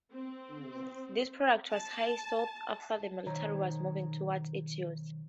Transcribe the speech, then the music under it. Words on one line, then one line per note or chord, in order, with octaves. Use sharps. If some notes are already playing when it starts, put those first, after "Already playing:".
This product was high sought after as the military was moving towards its use.
C4
A5
B1 D#3 C5 C#5 A#5